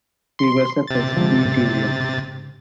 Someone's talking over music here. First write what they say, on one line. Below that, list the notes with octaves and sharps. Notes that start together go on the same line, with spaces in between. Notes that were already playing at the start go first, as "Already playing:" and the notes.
He was a Presbyterian.
C6
C3 A6
D3 F3 G#3
G#2 C#3